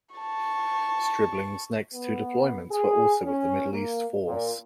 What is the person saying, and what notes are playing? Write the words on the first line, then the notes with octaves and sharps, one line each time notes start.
"Stribling"'s next two deployments were also with the Middle East Force.
A5 C#6
B3
G#4
C#4
A#3
A#2